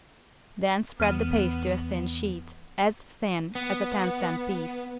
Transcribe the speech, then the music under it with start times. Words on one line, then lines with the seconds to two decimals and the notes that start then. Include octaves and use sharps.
Then spread the paste to a thin sheet, as thin as a ten-cent piece.
1.00 E2 B3 F6 D#7
3.55 B3